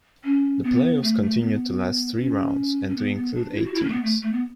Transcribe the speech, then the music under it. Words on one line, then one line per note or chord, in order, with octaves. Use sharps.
The playoffs continued to last three rounds and to include eight teams.
C#4
B3
A3
A3
B3
C#4
C#4
B3
B3
D4
E4
F#4
E4
C#4
A3
B3
A3
A3
B3